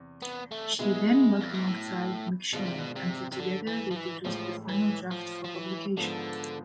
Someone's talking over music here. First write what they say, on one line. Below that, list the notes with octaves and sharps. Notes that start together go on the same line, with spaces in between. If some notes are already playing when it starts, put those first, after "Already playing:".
She then worked alongside McShane until together they produced the final draft for publication.
Already playing: E2 C3
B3
A3
B2 G#3 B3 E4 G#4
F2
G#2
A2
G#1 G#2 B2 G#3 D4 F4
C3
B2
C3
C3
D3
E3
F3
E3
A1 A2 F3 G#3
E3
F3
F3
E3
G#2 D3 F3 B3